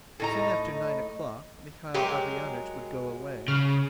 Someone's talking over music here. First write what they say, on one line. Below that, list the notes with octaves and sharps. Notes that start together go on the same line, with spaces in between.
Soon after nine o'clock Mihail Averyanitch would go away.
A2 D#4 A#5
F#3 G#3 G4 A#4
C#3 F6